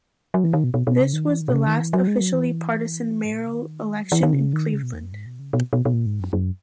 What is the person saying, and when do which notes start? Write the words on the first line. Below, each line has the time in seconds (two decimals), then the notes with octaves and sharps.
This was the last officially partisan mayoral election in Cleveland.
0.34 F#3
0.44 E3
0.53 D#3
0.64 B2
0.74 B2
0.87 B2
1.00 C#3
1.13 D#3
1.27 E3
1.41 D#3
1.48 B2
1.53 C#3
1.67 D#3
1.81 E3
1.93 F#3
2.07 G#3
2.21 F#3
2.33 E3
3.25 G#2
3.32 A#2
3.39 B2
3.46 C#3
3.54 D#3
4.03 F#3
4.12 E3
4.23 D#3
4.33 C#3
4.53 D#3
4.73 C#3
4.83 B2
4.93 E2
5.03 F#2
5.12 G#2
5.26 B2
5.39 C#3
5.53 B2
5.73 B2
5.85 B2
5.93 A#2
6.06 G#2
6.20 F#2
6.33 F#2